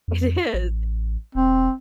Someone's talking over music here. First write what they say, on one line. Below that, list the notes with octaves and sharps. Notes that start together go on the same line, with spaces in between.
It is.
F2
A1
E1 C4